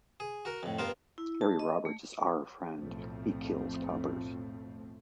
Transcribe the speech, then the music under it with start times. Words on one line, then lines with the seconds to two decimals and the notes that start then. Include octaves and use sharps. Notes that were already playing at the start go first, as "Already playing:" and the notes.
Harry Roberts is our friend, he kills coppers.
0.20 G#4
0.45 F#4 A#4
0.63 F2 A2
0.79 G2 B3 F4 A#4 C5
1.18 E4
1.41 A5
1.59 D#5
1.85 A3
2.75 B1 F2 A2 F3 A3 C4